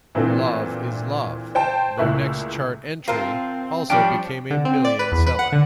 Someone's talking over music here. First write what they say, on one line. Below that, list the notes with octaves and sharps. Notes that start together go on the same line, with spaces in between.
"Love is Love", their next chart entry, also became a million-seller.
A#2 E3 C4 D4 A4
C5 G5 A5
C#2 A#2 A3 E4 C#6 F#6
C3 C4 F4 A#4 C5 A5
F3 G3 C#4 D4 G5
D3
C4
D5
B4
E2
B4
F#5
D3